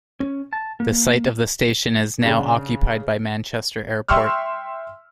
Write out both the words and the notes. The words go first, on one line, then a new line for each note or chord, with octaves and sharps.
The site of the station is now occupied by Manchester Airport.
C#4
A5
A#3
C#3 D4
E5 G5 C6 C#6 E6 F6